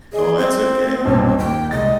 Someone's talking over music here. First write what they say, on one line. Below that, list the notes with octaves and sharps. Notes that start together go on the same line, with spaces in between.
Oh, that's okay.
G#4 D5 D#5
C4 C6
B1 G2 A#2
D#2 G5
C2 G#3 D#5 A6